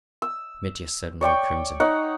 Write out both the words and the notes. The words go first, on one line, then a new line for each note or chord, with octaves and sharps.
Mitya suddenly crimsoned.
E6
C#5 D5 G5 C#6
D#4 C#5 F#5